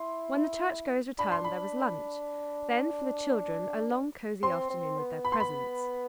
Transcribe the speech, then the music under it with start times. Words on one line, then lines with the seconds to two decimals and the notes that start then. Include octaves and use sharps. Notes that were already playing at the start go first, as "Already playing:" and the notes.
When the churchgoers returned there was lunch; then, for the children, a long, cosey afternoon with their presents.
Already playing: E4 C6
1.19 D4 B5
1.32 C6
1.44 B5
4.43 C4 C6
4.70 C4
4.98 B3
5.25 B5
5.32 C6
5.40 B5